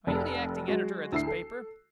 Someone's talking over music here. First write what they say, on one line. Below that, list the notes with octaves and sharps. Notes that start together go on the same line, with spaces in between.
"Are you the acting editor of this paper?"
F1 A4
F#3 G#3 F#4
D2 E4 E6 C7
A4